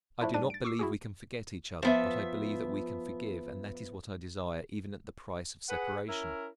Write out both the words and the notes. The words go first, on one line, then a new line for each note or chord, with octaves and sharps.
"I do not believe we can forget each other; but I believe that we can forgive and that is what I desire even at the price of separation."
F3 A3 D4 E4
G#2 G3 D4 A6 D#7
A6 D7
C#6 D6 E6 C7
E4 F#4 G#4
F3 B3 E5
G#4 B4 F#5
C#4 E4 A#4